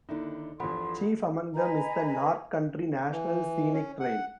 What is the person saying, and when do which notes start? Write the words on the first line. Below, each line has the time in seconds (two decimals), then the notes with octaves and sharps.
Chief among them is the North Country National Scenic Trail.
0.09 D#2 D3 D#3 D#4 E4
0.60 E2 G2 F3 A4 F#5 B5 C6
1.55 B4 D#5 G#5 A#5
3.12 E3
3.73 C#4
4.00 F#5